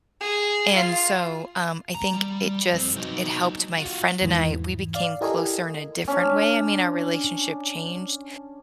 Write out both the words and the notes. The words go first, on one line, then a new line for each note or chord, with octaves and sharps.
and so, um, I think it just it helped my friend and I, we became closer in a different way, I mean, our relationship changed.
G#4
F4
A#5
G3
F2 C4
F#3 D#4
F4 F#4
E2 G#2 E3
D5 F5
E4 G4 A4 A#4 D#5 G#5
C#4 D4